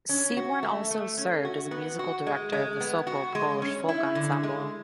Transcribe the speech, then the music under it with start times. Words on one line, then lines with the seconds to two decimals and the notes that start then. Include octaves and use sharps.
Seaborn also served as a musical director of the Sokol Polish Folk Ensemble.
0.09 C#4
0.37 F#4
0.63 A3
0.91 A3
1.18 C#4
1.45 F#4
1.71 B3
1.99 F#4
2.27 G#3
2.52 G#3
2.81 B3
3.07 F#4
3.35 G#3
3.62 C#4
3.89 E4
4.15 D3
4.43 G#3